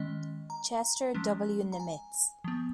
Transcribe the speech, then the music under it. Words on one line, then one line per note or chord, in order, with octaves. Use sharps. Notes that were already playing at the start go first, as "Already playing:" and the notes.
Chester W. Nimitz.
Already playing: D#3 G#3 C#4 D#5
A#5
F3 G#3 C#4
A#5
G#5
F3 B3